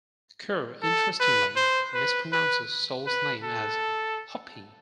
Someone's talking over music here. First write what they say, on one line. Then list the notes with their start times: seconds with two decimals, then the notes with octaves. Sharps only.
Kerr interestingly mis-pronounces Sol's name as "hope-y".
0.82 A4
1.20 B4
1.56 C5
1.94 B4
2.32 B4
3.07 B4
3.44 A4